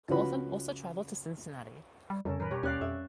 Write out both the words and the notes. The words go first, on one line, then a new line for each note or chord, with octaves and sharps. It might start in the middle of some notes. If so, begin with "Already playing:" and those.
Colton also traveled to Cincinnati.
C#2 F3 C#4 F#4 B4 B5
G3
F2 C#3 E3 G3 C#4 A4 A#4
A2 D#3 F#3 A#4 B4
B2 G3 G4 C#5
D#2 C#4 G4 D5 F5 F#6
F2 E5